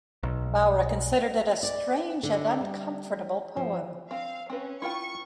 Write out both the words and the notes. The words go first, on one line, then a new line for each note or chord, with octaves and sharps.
Bowra considered it "a strange and uncomfortable poem".
B1
D5
D3
G3
F3
C4 F5
C4 C#4 B4
E4 F4 G5 C#6